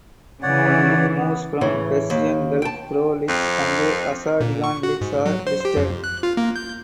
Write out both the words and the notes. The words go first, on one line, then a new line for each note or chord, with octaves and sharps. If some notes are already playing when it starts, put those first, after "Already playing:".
Only moves from Persian Gulf Pro League and Azadegan League are listed.
C#3 E3 C#5 D5 F#5
B3
A2 C#3 E3
D#2
G5 A5
F2
A#2
C#6
F#4
G#2
F#3
C5
G4
F2
F#6
F4
A#3
G6